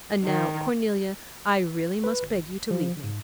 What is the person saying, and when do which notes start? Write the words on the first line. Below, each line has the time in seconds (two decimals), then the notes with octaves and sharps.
"And now, Cornelia, I really must beg you to leave me."
0.24 D#3
2.04 B4
2.23 G1
2.71 F3
3.04 G#2